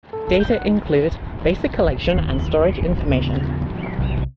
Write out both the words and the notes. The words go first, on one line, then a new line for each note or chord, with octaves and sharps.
Data include basic collection and storage information.
A4
A4
G6
F#5
D#4
F1 D#2 D#3
D#2 C#3 G3 B3
B1 C3